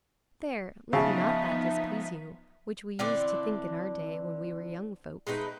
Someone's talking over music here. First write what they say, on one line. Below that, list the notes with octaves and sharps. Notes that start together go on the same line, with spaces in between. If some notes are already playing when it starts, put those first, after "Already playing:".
There, let not that displease you which we used to think in our day, when we were young folks.
C#3 F3 B3 D#4 E5 F5 A5
D3 E3 C4 D5
G#3 A3 D#4 B4